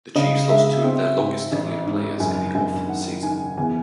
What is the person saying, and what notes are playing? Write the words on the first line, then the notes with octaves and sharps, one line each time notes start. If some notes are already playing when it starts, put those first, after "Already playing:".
The Chiefs lost two of their longest tenured players in the offseason.
C#3 D#5
G#3 E5
C4
G#2
A1
G#2
F#1 G#5
F#1 G#5
D#3 F#5
D#3 G#5
E2 G#5